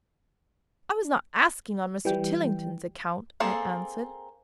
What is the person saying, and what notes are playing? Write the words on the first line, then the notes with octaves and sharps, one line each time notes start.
'I was not asking on Mr. Tillington's account,' I answered.
E3 G3 G5
A#3 C4 G#4 A4